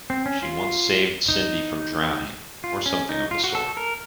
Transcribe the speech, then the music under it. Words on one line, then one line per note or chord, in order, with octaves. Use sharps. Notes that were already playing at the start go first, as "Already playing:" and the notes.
She once saved Cindy from drowning, or something of the sort.
C4
C#4
F4
D#4
F4
C#4
D#4
F4
F#4
A4
A#4